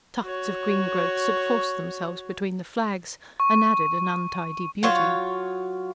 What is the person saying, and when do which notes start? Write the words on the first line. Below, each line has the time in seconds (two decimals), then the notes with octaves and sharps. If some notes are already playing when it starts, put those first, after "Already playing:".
Tufts of green growths had forced themselves between the flags, and added an untidy beauty.
0.21 F#4 C#5
3.40 C#6
4.83 F#3 F4 C#5